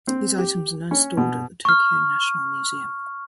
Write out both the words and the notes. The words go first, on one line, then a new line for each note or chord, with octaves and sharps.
These items are now stored at the Tokyo National Museum.
C4
G4
C#4
B2
C#6 F6